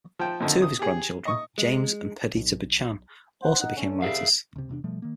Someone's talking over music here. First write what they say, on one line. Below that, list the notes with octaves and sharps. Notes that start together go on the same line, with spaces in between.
Two of his grandchildren, James and Perdita Buchan, also became writers.
F3 G5
F2 D3 D#3
D#6
G4 G#4
D#5 C#6 D#6
G#3
B1
C5 F#5
D#4 F#5
D3 A3 C#4
C2 G#4 E5 F5
C#2 C3
E2 C3 C#4 D4
B2 F3 G3 A3
D#3 A#3